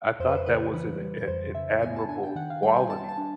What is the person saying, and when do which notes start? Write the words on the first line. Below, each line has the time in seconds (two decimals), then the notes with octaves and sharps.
I thought that was an a uh, an admirable quality,
0.20 F2 C5
0.28 B4
0.35 C5
0.46 C#3 B4
0.74 E3 B4
1.01 G3
1.27 F2 C5
1.55 C#3 E5
1.82 B3 G#5
1.96 A5
2.09 D4 G#5
2.23 G5
2.36 D#3 F#5
2.50 F5
2.63 G3 G5
2.76 G#5
2.90 B3 A5
3.09 A5
3.18 D4